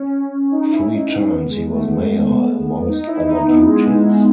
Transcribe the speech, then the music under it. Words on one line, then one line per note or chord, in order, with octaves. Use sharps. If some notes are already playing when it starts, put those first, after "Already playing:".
Three times he was mayor, amongst other duties.
Already playing: C#4
D#4
E4
D#4
C#4
B3
G#3
A3
B3
D#4
E4
D#4
B3
G#3
G#3